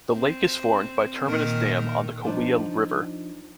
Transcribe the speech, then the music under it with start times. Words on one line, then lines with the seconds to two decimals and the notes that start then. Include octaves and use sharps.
The lake is formed by Terminus Dam on the Kaweah River.
0.14 C4
1.26 A#2 D#3 A#4
2.25 F3 D4 D#4